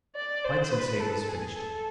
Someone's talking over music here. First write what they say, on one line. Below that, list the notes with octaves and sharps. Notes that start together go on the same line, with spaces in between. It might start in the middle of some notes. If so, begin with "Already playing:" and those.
Pikes and sabres finished him.
D5
C5
B4
A4
G#4
A4